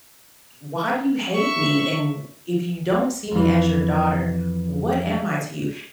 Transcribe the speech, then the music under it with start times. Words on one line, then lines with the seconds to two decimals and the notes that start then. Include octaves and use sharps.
why do you hate me? And wh if you don't see me as your daughter, what am I to you?"
1.34 E5 C#6
3.31 F2 E3